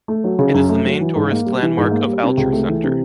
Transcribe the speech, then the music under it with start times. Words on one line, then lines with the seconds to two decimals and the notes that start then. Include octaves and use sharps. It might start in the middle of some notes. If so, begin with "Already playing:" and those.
It is the main tourist landmark of Alger Center.
0.08 A3
0.24 F#3
0.39 C#3
0.54 F#2
0.69 A3
0.85 F#3
1.01 E3
1.15 G#2
1.31 A#3
1.46 G3
1.62 E3
1.77 G#2
1.91 A#3
2.07 G3
2.23 C3
2.37 C#2
2.53 A3
2.69 E3
2.84 C3